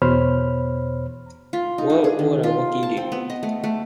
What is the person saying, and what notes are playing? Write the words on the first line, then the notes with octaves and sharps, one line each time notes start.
What Would A Wookie Do?
E2 B2 C5 C#5 B5 F6
F4
D#4
D4
G#4
D#3
F4
A5
C4
B3
D#5
A3
A3